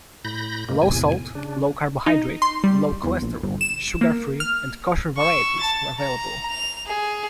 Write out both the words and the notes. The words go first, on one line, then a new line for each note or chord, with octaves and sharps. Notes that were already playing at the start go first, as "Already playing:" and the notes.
Low-salt, low-carbohydrate, low-cholesterol, sugar-free, and kosher varieties are available.
A2 B5 G6 A#6
F#2 B2 G#3 A#3
E2 A2 C3 G#5
C#3 D4
D#4
C6
G3
E2
A#1
G1
E7
A#3
F6
C#6 E6
A5 A6
A#5
F7
G#4